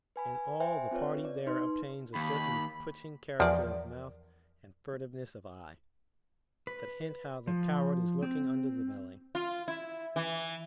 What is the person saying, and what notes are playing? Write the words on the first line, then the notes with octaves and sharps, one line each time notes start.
In all the party there obtains a certain twitching character of mouth and furtiveness of eye, that hint how the coward is lurking under the bully.
B4 G#5 B5
G#5
C5 E5 G5 G#5
C4 F4 B4 C#5
D5
D#4 B4 C6
D#2 B5
E2 F3 A#4 D5
B4
F3
C4
F4
E4
E3